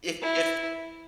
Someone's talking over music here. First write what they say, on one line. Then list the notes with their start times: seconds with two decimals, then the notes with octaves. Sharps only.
if if
0.22 E4